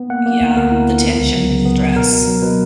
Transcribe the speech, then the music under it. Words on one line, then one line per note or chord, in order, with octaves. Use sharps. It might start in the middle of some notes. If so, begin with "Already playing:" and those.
Yeah, the tension and the stress.
Already playing: B3
A#3 F#5
A#3
D2
D2 A#4
E4
D3
B3
C#2
F#3
C#3
B3
B3
B2 A#4
B2
F#3
B2 B4